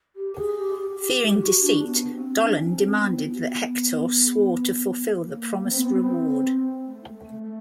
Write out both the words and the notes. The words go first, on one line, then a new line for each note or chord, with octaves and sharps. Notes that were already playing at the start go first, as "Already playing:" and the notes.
Fearing deceit, Dolon demanded that Hector swore to fulfill the promised reward.
G4
G#4
G4
G4
G4
G4
F#4
D4
B3
C4
D4
C#4
C4
B3
B3
B3
A#3
B3
C4
B3
C4
C4
A3
A3
A3